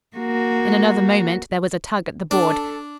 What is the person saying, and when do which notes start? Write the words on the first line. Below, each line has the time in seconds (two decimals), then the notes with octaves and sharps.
In another moment there was a tug at the board.
0.17 A#3 F#4
2.31 D4 A4 A5